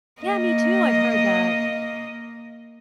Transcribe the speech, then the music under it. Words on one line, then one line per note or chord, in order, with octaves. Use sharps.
Yeah, me too, I've heard that.
A#3 D#5